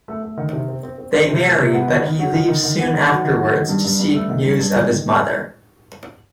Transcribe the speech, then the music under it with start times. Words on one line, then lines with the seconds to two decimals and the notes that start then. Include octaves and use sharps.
They marry but he leaves soon afterwards to seek news of his mother.
0.08 A3
0.23 A3
0.37 D#3
0.53 C3
0.68 C4
0.83 C4
0.98 C4
1.13 C4
1.29 C3
1.43 A3
1.59 C3
1.73 B3
1.88 D#3
2.03 D#3
2.19 F#3
2.33 D#3
2.49 D#3
2.64 D#3
2.79 B3
2.94 D#3
3.08 F#3
3.24 D#3
3.39 F#3
3.54 D#3
3.69 G2
3.85 G2
4.00 G2
4.14 A3
4.29 D#3
4.45 G2
4.59 G2
4.75 D#3
4.90 D#3